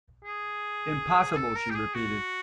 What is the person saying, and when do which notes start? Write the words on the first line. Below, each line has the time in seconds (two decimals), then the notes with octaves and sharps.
"Impossible," she repeated.
0.25 G#4
1.32 G#4
1.37 A4
1.56 A#4
1.70 G4
1.75 G#4
1.94 F#4